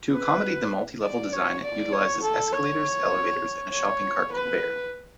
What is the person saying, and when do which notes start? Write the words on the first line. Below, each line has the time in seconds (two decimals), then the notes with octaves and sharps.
To accommodate the multi-level design it utilizes escalators, elevators and a shopping cart conveyor.
0.13 B4
1.02 D5
1.33 C#5
1.63 D5
1.92 C#5
2.23 A4
2.52 C#5
3.72 C#5
4.32 B4